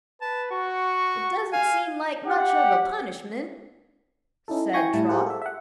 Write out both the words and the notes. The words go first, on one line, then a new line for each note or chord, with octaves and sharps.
"It doesn't seem like much of a punishment," said Trot.
B4 A5
F#4 C#6
F5 G#5
G4 F#5
C#4 D#4 E4 A4
E4 G5 G#5 C#6 A#6
A2 G3 E4 A5
F4 G4 G#4 A#4 C5 F#5
A4 E5
E5 F#5